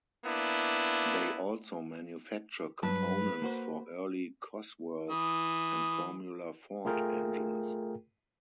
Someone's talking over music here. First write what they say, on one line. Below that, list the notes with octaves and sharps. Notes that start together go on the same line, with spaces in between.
They also manufacture components for early Cosworth and Formula ford engines.
A#3 B3 D4 E4
G2 F#3 B4 A5
A#3 F#4 C5
E3 D#6
A3 F4 G#4 A#4 G5